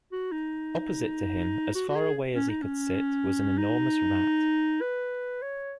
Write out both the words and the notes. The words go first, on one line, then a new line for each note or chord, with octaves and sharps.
Opposite to him — as far away as he could sit — was an enormous rat.
F#4
D#4
F#4
F#4
G#4
C#4
D#4
C#4
D#4
B4
C#5